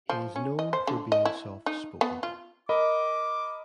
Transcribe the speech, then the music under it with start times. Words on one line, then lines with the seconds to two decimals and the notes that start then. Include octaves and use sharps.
He is known for being soft-spoken.
0.09 F3
0.36 C#4
0.59 D#5
0.73 C5
0.87 D3
1.12 D#5
1.25 E4
1.66 D#4
2.01 B3
2.23 F4
2.69 A#4 D#5 B5 D6